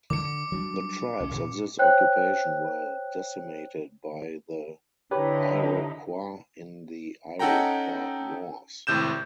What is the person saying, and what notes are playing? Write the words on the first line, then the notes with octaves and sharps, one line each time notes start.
The tribes of this occupation were decimated by the Iroquois in the Iroquois Wars.
D3 D6 C#7
F#3 G3 D4
C2 C#4
A#2
C5 C#5 G5 F#6
D3 D#4 E4 G4 B4 C#5
C#4 D#4 A4 F#5 G5 A#5
G#1 A2 C3 G6 E7